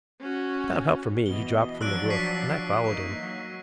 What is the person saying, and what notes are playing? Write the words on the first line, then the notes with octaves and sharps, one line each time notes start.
Without help from me he dropped from the roof, and I followed him.
C#4 F#4
B2 E3 D#5 G7
F3 F#3 D4 E6 F#6 D7
C#6 B6 C7
E3 A#3 D#4 C#6
F#3